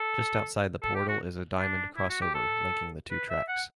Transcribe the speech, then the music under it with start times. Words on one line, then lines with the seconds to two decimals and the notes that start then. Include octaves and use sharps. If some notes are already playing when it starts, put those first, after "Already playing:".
Just outside the portal is a diamond crossover linking the two tracks.
Already playing: A4
0.82 A4
0.95 G4
1.08 F#4
1.59 D4
1.97 E4
2.10 F#4
2.22 G4
2.35 A4
3.11 B4
3.30 E5
3.48 F#5